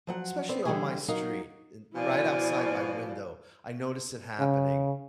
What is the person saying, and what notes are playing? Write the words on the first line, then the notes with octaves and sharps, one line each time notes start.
especially on my street, and right outside my window, I notice it happening-
F3 F#3 F#5
B3 C4 D5
D3 E3 G3 A#3 G4 G#4
F#3 D#4 A#4 F5
B2 F3 E4 D5 G#5
C#3